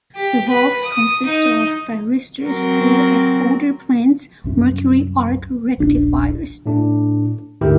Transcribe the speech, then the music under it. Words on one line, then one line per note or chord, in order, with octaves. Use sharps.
The valves consist of thyristors, or at older plants, mercury arc rectifiers.
G4
B4
D#6
D#4
F#3 C4 A#4
C2 F#2 C#4
D#1 A#1 D4
A2 D4
D2 G#2 D3 E4 G4 A#4